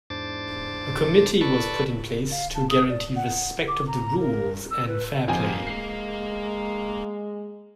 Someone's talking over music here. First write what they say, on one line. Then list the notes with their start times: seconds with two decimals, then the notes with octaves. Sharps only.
A committee was put in place to guarantee respect of the rules and fairplay.
0.10 E2 G#2 D4 C5 D6 A6
1.41 A4 B4 D5 A5 B5 C#6
2.31 F5
2.55 A5
2.70 D#6
2.89 D5
3.16 F#5
3.68 D6
3.87 A#5
4.20 A#4
4.71 E6
4.88 B4
5.28 F2 A#3 C4 G#5
5.67 G#3 C7